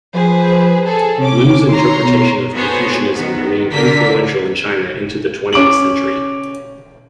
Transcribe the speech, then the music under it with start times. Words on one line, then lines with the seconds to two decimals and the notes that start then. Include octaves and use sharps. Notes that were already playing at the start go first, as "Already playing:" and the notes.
Lu's interpretation of Confucianism remained influential in China into the twentieth century.
0.15 F3 G#4 B4 C5
0.84 G#4 A4
1.19 C3 C#4 D6
1.72 D#3 C#5 A#5 C6
2.03 B2
2.54 B3 F#4 G#4 A4 C5 C#5
3.13 D#3 B3
3.72 D3 A#4 B6
5.53 C#4 D6 D7 F#7